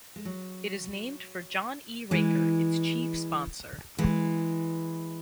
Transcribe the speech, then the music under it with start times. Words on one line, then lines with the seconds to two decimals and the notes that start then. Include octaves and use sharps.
It is named for John E. Raker, its chief sponsor.
0.16 G#3
0.25 F#3
2.11 E3 G#3
3.99 E3 G#3